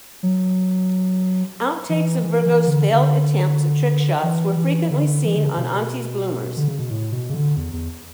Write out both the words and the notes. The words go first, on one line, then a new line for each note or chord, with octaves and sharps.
Outtakes of Virgo's failed attempts at trick shots were frequently seen on "Auntie's Bloomers".
F#3
E3
E3
E3
D3
D3
E3
E3
D3
E3
D3
C#3
B2
D3
C#3
B2
A2
B2
C#3
D3
E2
E2